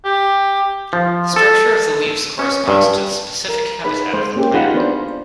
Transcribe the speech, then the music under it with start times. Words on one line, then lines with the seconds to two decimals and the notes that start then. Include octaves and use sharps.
The structure of the leaves corresponds to the specific habitat of the plant.
0.05 G4
0.93 F3
1.36 A4
2.39 C#4
2.68 G2
3.48 A#4
3.84 D#4 G#4 B4 C#5 B5
4.13 G#3 C5
4.35 G#3 A#3 C#4 G4 G#4
4.54 D#4 F4 G#4 F#5 B5
4.74 B3 D4 F4 B4 C5